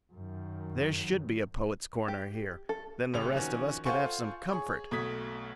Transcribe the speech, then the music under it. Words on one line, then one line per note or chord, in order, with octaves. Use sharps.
There should be a Poets' Corner here. Then the rest of us could have some comfort.
F#2 D#3
G4
A4
D#1 A1 C#3 F7
D#3 F3 C#4 F#4
F4 A4 C5 F#5 G#5 C#6
G#4 C#5
B1 B2 A3 D#6 G#6 B6